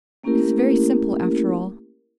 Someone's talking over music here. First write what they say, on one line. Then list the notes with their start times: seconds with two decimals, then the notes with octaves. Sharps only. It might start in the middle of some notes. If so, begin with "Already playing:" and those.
It is very simple, after all.
0.24 A3 A#3 C#4 E4 G4 A#4